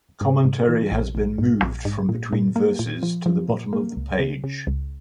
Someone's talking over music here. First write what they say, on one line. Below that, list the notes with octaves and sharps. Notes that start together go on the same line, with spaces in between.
Commentary has been moved from between verses to the bottom of the page.
G#2
G#2
E3
A#1
A#1
G#2
A#1
G#2
A#2
A#2
A#3
A#2
F3
F3
A#2
A#3
C#2
C#3
C#3
C#2